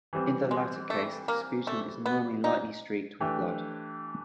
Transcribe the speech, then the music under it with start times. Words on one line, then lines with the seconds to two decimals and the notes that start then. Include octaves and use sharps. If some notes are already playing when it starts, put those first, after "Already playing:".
In the latter case, the sputum is normally lightly streaked with blood.
0.13 E3 G3 C4
0.51 G#3
0.90 A3
1.28 A#3
1.67 A3
2.06 B3
2.44 D#4
3.20 E3 A3 D4 G4